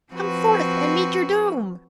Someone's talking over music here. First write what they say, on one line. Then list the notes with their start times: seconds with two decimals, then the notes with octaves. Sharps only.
"Come forth and meet your doom!"
0.12 F3 C4 F#4 B4